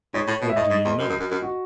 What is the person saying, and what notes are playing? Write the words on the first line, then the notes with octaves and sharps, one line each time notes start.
"What do you know?"
G#2 C#5
A2
B2
E5
A2 D#5
G#2
E2
F#2
F#2
F#2
F#2
F#4